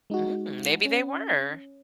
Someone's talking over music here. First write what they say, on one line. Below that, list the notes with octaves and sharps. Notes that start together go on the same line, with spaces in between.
Mm, maybe they were.
G#3 D#4 F#4
C#4